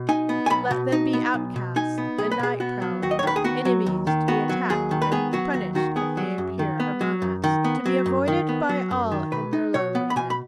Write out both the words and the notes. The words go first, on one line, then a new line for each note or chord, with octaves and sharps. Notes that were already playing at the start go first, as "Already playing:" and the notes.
Let them be outcasts and night-prowlers, enemies to be attacked and punished if they appear among us, to be avoided by all in their loneliness.
Already playing: B2
D#4 G#5
B3
G#5
B1 B5
B2
D#4
B3
B1
B2
D#4 G#5
B3
B1 G#4
B4
B2 G#4
B3 F#4
F#3
D#2 F#4
D#5
C#5
D#3 B4
G#4
B3 F#4
F#3
D#2
D#3
B3 F#4
F#3
D#2 G#4
D#3
B4
B3 G#4
F#3 F#4
D#2 F#4
D#3 F#4
B3 G#4
F#3
F#2
D#3
B3
F#3
F#2
D#3
B3
F#3
F#2
D#3
B3
F#3
F#2
D#3
B2 B4
D#4
B2 C#5
B3
B5
B2 G#5
B5